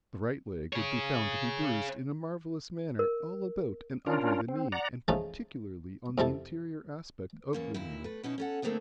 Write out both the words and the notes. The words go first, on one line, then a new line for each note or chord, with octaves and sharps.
The right leg would be found to be bruised in a marvellous manner all about and under the knee, and particularly on the interior aspect of the knee.
G#4 C#5
A#4
C#4 D4 F4 A#4
C4
D5 F#5 A#5
C#3 F3 A3 D#4 A4
F2 C3 E4 A4
E2 A#3 C#4
D#2 A#2 E4
A3 B4
B2 C#4 D#4 E4
C#4 A4 F#5
D3 A3 A#3 C4 D4 D#4